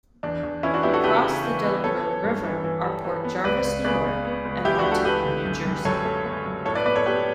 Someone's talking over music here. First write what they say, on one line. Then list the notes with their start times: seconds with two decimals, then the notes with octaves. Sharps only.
Across the Delaware River are Port Jervis, New York and Montague, New Jersey.
0.23 E2 D4
0.43 E2
0.63 E3 C#4 E4
0.74 D4 F#4
0.83 B3 E4 G4
0.93 F#4 A4
1.03 C#3 G4 B4
1.24 C#3
1.44 E3
1.64 B3
1.84 B3 A4 C#5
2.04 E3
2.24 G2
2.44 E3
2.64 E3
2.84 G3
3.04 E3
3.24 B3
3.44 C#2 B4 D5
3.65 C#2
3.84 C#3 B4 D5
4.05 B3
4.25 B3
4.45 C#2
4.65 E3 E4 G4
4.79 D4 F#4
4.85 C#2
4.91 F#4 A4
5.05 A3 G4 B4
5.25 D3
5.45 F#2
5.65 F#2
5.85 F#2 A4 C#5
6.05 A3
6.26 A3
6.46 F#2
6.65 A2 A4 C#5
6.75 B4 D5
6.85 B3 B4 D5
6.96 A4 C#5
7.06 B3 G4 B4